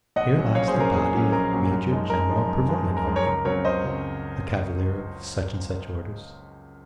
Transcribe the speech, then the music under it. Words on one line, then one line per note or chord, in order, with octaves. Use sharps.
"Here lies the body of Major-General Pervoyedov ... a cavalier of such and such orders." Hm!
A#1 D#5 F#5
A#2 F#3 C#4
A#1 C#5 F5
G#4 C5
A#2 F#3 C#4
A#4
A#1 G#4
A#2 F#3 C#4
A#1 A#4
A#2 F#3 C#4
F#2
F3 G#3 D#4
F#2 A#4
F3 G#3 D#4
F#2
F3 G#3 D#4
F#2
A#4
F3 G#3 D#4
A#4 C#5
C#2 A#4
C#3 F#3 C4 A#4 C#5
C#2 C5 D#5
C#3 F#3 C4